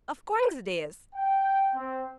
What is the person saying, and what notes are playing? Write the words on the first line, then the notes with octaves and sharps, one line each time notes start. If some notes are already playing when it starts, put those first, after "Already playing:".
'Of course it is.
G5
C4